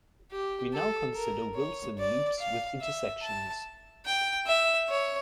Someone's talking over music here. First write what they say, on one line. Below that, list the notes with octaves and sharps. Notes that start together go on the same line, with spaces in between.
We now consider Wilson loops with intersections.
G4
A4
A#4
C#5
D5
F5
E5
A5
G5
E5
C#5